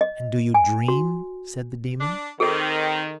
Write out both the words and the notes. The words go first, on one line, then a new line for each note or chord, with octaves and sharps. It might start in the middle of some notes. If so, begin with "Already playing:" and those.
"And do you dream?" said the daemon.
D#5
G#5
F#4
D4
D#3 C4 G#4 A4